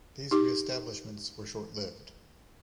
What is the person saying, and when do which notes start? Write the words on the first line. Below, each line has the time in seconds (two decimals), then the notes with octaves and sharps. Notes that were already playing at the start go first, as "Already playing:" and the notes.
These re-establishments were short lived.
0.31 D#4 G4 D6